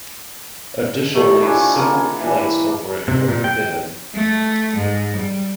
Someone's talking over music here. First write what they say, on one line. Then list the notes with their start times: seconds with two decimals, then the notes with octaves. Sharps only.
Additionally, civil flights over it were forbidden.
1.15 A#2 D#3 F3 A3 G4 A#4
1.42 D4 E4 C#5 G#5
1.74 A#3 A5
2.20 E3 G3
3.08 C3
3.28 A#2
3.44 G5
4.15 A3
4.76 G#2
5.16 G3